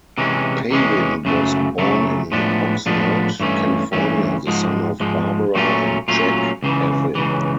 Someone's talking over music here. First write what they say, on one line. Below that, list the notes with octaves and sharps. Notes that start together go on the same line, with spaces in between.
Pavin was born in Oxnard, California, the son of Barbara and Jack Pavin.
C3 E3 G#3 C#4
C3 E3 G#3 C#4
F#2 C#3 F#3 A3
F#2 C#3 F#3 A3
A2 F3 G#3 B3 D4
A2 F3 G#3 B3 D4
G2 E3 A3 C#4
G2 E3 A3 C#4
G#2 F3 G#3
G#2 F3 G#3
A#2 F#3 A3 C#4 F4
A#2 F#3 A3 C#4 F4
C#2 C#3 E3
C#2 C#3 E3